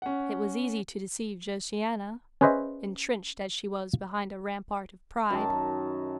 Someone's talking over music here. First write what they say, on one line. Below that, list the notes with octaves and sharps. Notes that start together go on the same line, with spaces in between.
It was easy to deceive Josiana, entrenched as she was behind a rampart of pride.
C#4 F#5
C#4 G#4 B4 C5 D#5 E5
F#2 D#3 A5